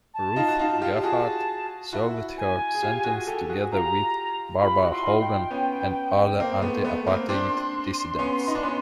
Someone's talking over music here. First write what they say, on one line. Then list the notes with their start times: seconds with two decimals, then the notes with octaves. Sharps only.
Ruth Gerhardt served her sentence together with Barbara Hogan and other anti-apartheid dissidents.
0.14 A5
0.36 D#4 F4
0.48 F#4
0.59 D#4 F4
0.82 F4 G4
1.04 F#4 G#4 A5
1.93 E4 F#4
2.38 G#5
2.75 G#4
2.83 F4 G4
3.04 F#4 G#4
3.27 G4 A4
3.49 F#4 G#4
3.64 G#4
3.72 F4 G4 A#5
4.61 F4 G4 B5
4.84 E4 F#4
4.91 C6
5.06 D#4 F4
5.21 G5
5.51 B3 C#4
6.40 A#3 C4
6.62 A3 B3
6.84 A3 B3
7.07 A#3 C4
7.29 C4 D4 C6
8.19 B3 C#4
8.48 D#4
8.55 D4
8.63 B3 C#4